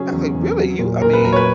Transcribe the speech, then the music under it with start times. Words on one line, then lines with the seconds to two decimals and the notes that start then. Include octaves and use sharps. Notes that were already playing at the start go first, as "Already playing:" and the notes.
I was like, “Really, you I mean
Already playing: F#2 C#3 F#3 C#4 G#4
0.12 E2
0.34 E2
0.57 F#3
0.79 A#2
1.02 A#2 A#4
1.13 B4
1.25 F#3 A#4
1.33 C#5
1.36 B4